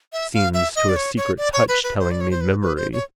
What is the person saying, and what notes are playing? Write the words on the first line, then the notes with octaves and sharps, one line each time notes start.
Seems to a secret touch telling me memory.
E5
F5
E5
D#5
D5
C#5
C#5
D5
C#5
B4
B4
C5
D5
C#5
C5
B4
B4
C5
C#5